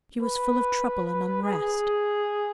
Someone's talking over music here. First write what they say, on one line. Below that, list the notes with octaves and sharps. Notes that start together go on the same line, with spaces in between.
She was full of trouble and unrest.
B4
G#4